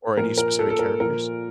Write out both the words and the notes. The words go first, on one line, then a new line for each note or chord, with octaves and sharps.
or any specific characters?
A#2 F3 A#4
A#4
A4
A4
A#4
A#2 F3 A#4